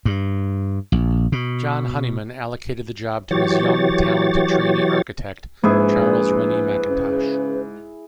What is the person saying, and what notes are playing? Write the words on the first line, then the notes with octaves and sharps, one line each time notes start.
John Honeyman allocated the job to his young, talented, trainee architect, Charles Rennie Mackintosh.
G2
A#1
B2
E3 F#3 G4 C#5 A6
A#1 G#2 E4 G#4 B4
C#3